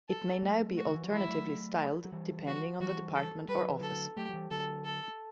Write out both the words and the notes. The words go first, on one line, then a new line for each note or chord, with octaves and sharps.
It may now be alternatively styled, depending on the department or office.
A4
F#3 A3
F#4
D3
E3
F#3
E3 G3 E4
F#3 A3
F#3
E3 G3
F#4
E3 G3 F#4
A4
G3 B4
F#3
E3
D3 F#3 A4
F#3 A3 G4
F#3
E3 G3
D3 F#3 A4
A4